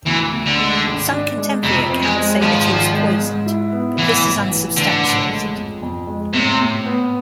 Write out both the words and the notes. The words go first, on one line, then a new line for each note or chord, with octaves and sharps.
Some contemporary accounts say that he was poisoned, but this is unsubstantiated.
D2 E3
D2
D3
G#3
G#1
D4
G#3
F2 C3
C4
G#3
G#3
G#1 F3
G#1
G#3
G#2
E4
B3
A1 E3
A1
E3
A1 D3
A1
G#3
F2
F2
G#3
A2 C3
A2
B3